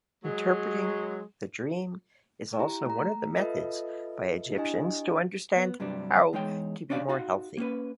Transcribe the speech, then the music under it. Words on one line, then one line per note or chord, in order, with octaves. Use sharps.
Interpreting the dream is also one of the methods by Egyptians to understand how to be more healthy.
F#3 G#3
E4 G4 A#5
A3 A#5
F4 A4 B4 D#5 E5
D4 E4 G4 D#5 G#5
B3
G2 C3 F#3 G3 D4
E2 G#3 D#4 C#5 G5
C#4 D4 D5 D#5 F5
D#4 F#4 F5
A#3 C#4 B4